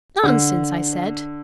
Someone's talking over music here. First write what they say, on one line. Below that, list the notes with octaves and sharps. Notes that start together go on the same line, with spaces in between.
"Nonsense!" I said.
D3